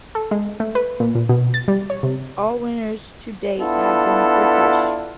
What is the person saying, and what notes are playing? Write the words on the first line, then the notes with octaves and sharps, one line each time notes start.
All winners to date have been British.
A4
G#3
A3
B4
A#2
A#2
B2
A6
G3
C#5
C3
B3 D4 E4 F4 A4